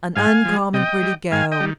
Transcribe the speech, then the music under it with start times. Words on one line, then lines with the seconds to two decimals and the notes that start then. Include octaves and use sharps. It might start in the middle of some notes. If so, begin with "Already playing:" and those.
An uncommon pretty go!
0.15 G#2 F5 G#5
0.45 F3 G#3
0.73 C3 D#5 G5
1.03 G3
1.31 G#2 F5 G#5
1.52 D#5 G5
1.60 D#3 G3